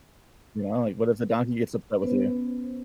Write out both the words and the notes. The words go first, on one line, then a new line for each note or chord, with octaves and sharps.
You know, like, what if the donkey gets upset with you?
B3 C#4 B4 C5